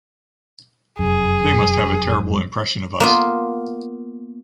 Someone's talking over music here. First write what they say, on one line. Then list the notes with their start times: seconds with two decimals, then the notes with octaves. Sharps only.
They must have a terrible impression of us.
0.99 F1 F#2 G#4
3.00 A#3 B3 F4